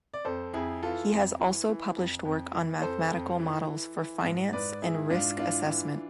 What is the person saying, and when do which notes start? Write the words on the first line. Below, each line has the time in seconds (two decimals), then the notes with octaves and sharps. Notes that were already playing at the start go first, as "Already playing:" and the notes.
He has also published work on mathematical models for finance and risk assessment.
0.14 D5
0.25 F2 A4 C5
0.53 F2 E4 G#4
0.83 E3 F4 A4
1.11 F2
1.40 E3
1.68 E3
1.97 F2
2.25 F2
2.53 E3
2.82 F2 A4 C5
3.11 F2
3.40 E3
3.67 E3
3.96 E3
4.24 G#2
4.53 G#2 B4 D5
4.82 E3 E4 G#4
5.10 G#2 D4 F4
5.38 E3 D4 F4
5.67 E3